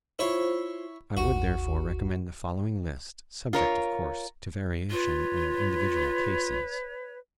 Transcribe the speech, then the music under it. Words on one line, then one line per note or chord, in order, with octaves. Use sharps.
I would, therefore, recommend the following list, subject, of course, to variation in individual cases.
E4 F4 C5 C#5
G#1 D#2 F#4
F4 A#4 C#5
F4 B4 C#5